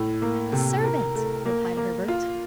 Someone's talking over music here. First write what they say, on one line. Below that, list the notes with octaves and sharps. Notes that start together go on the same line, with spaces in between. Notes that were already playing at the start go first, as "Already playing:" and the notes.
"A servant!" replied Herbert.
Already playing: A2
A#3
C3
A#4
A3
A#3
A#3
F4